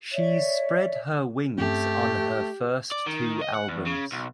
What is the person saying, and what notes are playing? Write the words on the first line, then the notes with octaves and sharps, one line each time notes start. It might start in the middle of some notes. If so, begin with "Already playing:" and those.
She’s spread her wings on her first two albums.
C#5 D5 E5
G2 A3 C4 C#4 G4
D5
D#3
D#5
F#5
E2
C#3
B1